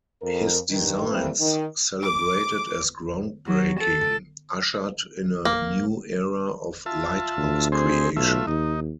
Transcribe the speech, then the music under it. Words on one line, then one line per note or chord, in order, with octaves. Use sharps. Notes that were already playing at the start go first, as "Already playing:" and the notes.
His designs, celebrated as ground breaking, ushered in a new era of lighthouse creation.
F2 A#4
G2 D#3
E3 G3 A3 A#3 C4 B4
D#3
D6
F#3
A4
A#3
F4 E5 A5
D2
C4 G#4 C5
B1 A3 F4 E5
D#2 D#4